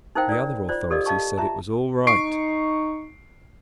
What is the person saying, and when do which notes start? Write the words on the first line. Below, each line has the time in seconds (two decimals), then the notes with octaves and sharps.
The other authorities said it was "all right!"
0.15 D#4 E4 A#4 C5 F5 G5
0.29 A#4 D5
0.69 F4 C5 D5
0.90 G4 A4 A#4 D5 D#5 F5
1.06 D#5 F5 A5 C#6
1.38 F4 E5 A5 A#5
2.07 D#4 C#6 C7 D7